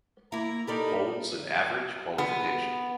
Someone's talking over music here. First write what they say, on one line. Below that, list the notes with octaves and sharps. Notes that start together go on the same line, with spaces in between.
Holds an average qualification.
A#3 E4 A#5
D#4 G4 A4 A#4 D5 B5
B3